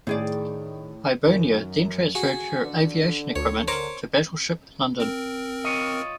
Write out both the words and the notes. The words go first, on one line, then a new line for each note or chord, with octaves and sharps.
"Hibernia" then transferred her aviation equipment to battleship "London".
A2 D#3 G#4 D5
F#2 D#3
F#4 G#4
D3
D2 C#5
A#4 C5 C#5 D6
C4 A#4
F4 C#5 D#5